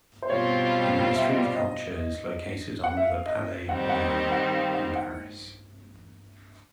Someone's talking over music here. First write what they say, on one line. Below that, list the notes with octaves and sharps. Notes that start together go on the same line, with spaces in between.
The Ministry of Culture is located on the Palais Royal in Paris.
C5
B2 G3 C4 F4 C#5
E5
D#5
D5
D#5
F#5
E5
F5
D#5
D#3 G3 C4 D#4 F#5
F#5
G5
F#5
F5
F#5
F#5